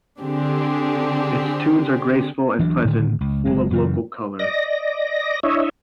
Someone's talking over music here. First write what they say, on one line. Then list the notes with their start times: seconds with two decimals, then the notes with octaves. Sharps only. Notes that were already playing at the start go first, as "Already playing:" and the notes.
Its tunes are graceful and pleasant, full of local color.
0.20 D3 C4 D4 G4 G#4
2.59 D2 E3 F#3 D4
2.85 A2 D3 D#3 A3
3.21 C#2
3.45 F#1 G#3
3.70 F#2 C#3 E3
4.39 D5 D#5 A#6
5.43 D4 E4 C#5 D#5 E5